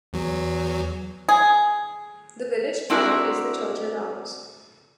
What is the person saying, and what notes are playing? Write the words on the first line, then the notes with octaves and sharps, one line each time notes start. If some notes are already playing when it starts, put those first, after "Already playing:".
The village pub is the Churchill Arms.
E2 F#3
G#4
C4 D4 E4 F#4 A#4